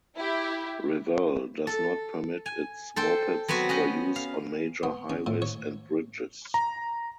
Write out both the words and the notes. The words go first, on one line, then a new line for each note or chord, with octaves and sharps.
Revel does not permit its mopeds for use on major highways and bridges.
E4 G4
A4
G#5
A4 C5 G5
F#3 B3 C4 F#4
C#4 D#5 F#5 G5
F5
B3
C#4
A2
C#5
A#5